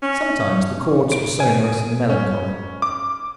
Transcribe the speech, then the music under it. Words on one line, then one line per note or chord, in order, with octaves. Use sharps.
Sometimes the chords were sonorous and melancholy.
C#4
D7
G#5
C#4
D6